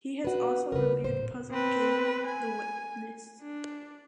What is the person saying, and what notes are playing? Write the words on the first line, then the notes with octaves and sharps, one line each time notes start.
He has also reviewed puzzle game "The Witness".
F#4 B4
C#3 G3 A#4 B4
D#1 A2 C5
C4 B4
G#5
D4